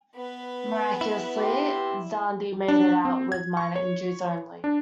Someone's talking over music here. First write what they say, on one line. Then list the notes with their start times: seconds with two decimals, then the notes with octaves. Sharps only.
Miraculously, Zandi made it out with minor injuries only.
0.15 B3 B4
1.01 E4
1.38 G4 C6
2.68 D4
3.05 C4
3.32 G#6
3.57 C#6
3.76 C#5
4.64 D4